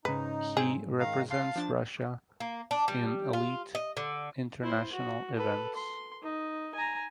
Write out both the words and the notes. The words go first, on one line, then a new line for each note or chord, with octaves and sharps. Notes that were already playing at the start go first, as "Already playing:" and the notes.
He represents Russia in elite international events.
G#2 C#3 D#4 B4
C4 G#4
D#3 F5 A#5
F5 A5 C6 C7
F3 D4 A6
A#3
D4
G3
F4
D#5
D3
E4 C5
F#4
A4 B4
C6
D#4
G#5 A#5